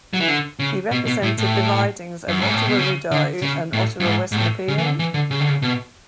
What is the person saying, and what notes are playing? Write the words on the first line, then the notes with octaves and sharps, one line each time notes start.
He represented the ridings of Ottawa-Rideau and Ottawa West-Nepean.
F#3
E3
D3
C#3
B2
B2
A2
A2
F#2
G#2
A2
B2
C#3
D3
C#3
A2
F#2
G#2
G#2
A2
C#3
E3
D3
E3
D3
C#3
D3
C#3
B2